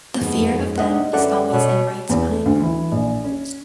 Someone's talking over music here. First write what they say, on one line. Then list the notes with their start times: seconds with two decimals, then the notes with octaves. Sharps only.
The fear of them is always in Wright's mind.
0.21 F2 G#2 B2
0.78 C3 D4 D#5 F#5
1.13 F#2 E3 A4 D5 F#5
1.52 B2 C#5
2.09 E2
2.29 A3
2.46 D2
2.61 E3
2.92 A#1
3.24 C#4